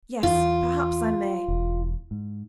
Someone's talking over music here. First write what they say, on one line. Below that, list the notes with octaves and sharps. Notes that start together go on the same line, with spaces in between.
'Yes, perhaps I may.
E2 F4
E1
G#2